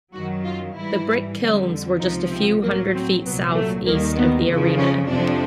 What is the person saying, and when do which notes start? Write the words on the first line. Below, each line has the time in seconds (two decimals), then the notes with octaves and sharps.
The brick kilns were just a few hundred feet southeast of the arena.
0.14 F#2 D#3 F#3 F#4
0.45 F4
0.76 G#2 E3 G3 E4
1.39 F2 D3 G3
2.00 C#2 C3 F3 D#4
2.31 C4
2.62 A2 F#3 A#3
2.94 C4
3.24 C2 A#2 F#3 B3
3.54 A3
3.85 D#2 D#3 G3 A#3
4.16 B3
4.47 F2 C#3 F3
4.79 C#4
5.09 F2 C3 F3 D4